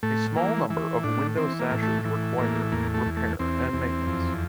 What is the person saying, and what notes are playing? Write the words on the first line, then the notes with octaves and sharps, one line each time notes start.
A small number of the window sashes require repair and maintenance.
A2 A3
E3 A#3
E3
A2 D4
E3 C4
A#3
A2
A3
E3
A2 A#3
E2 A#3
A3
E2
A3
E2 C4
E2
F2